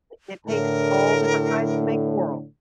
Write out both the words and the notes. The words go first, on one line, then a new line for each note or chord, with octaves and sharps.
it it takes all different kinds to make a world.
A2 D3 A#4